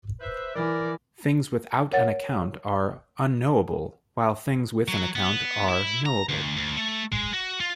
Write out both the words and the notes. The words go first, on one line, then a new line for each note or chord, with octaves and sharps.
Things without an account are 'unknowable', while things with an account are 'knowable'.
B4 C5 E5
E3 A#4 D5
A#4 C#5 F#5 A6
F#3
B3
E4
A#5
D2
D2
A3
G#3
F#4
F4